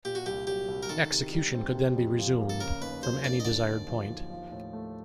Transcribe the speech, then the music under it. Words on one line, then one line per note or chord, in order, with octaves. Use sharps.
Execution could then be resumed, from any desired point.
A#2 G4
F#4
C2 G4
F#3 G4
C2
A#4
D#3 A4
C3
G3
C4
C3
F2
F3
A#3
A4
C#3 A#4
D#2 B4
F#3 C5
D#2 D5
D#5
D3 D5
D#2
F3
D#2
F3
A2
A3